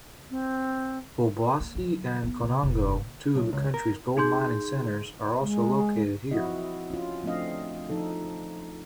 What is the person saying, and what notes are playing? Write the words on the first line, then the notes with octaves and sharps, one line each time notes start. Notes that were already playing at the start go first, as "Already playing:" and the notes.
Obuasi and Konongo, two of the country's gold-mining centers, are also located here.
C4
A#3
D3 F#3
B3 E4
C3
F1 D#4
B1
C#2
A#4
D#4 G#4 C6 G6
G#3
F3 C4 E4 F#4 D#5
E4
C#4 F4
F3 A3 C4 D4 D#5 F5
F3 D#4 A4